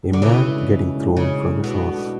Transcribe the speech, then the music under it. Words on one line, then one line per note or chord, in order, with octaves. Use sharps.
A man getting thrown from his horse.
D3
B1 C#3 E3
A2 G#3 D4 A4
B1
A2 G#3 D4 A4
B1 C#3
A2 G#3 D4 A4
B1 B2
A2 G#3 D4 A4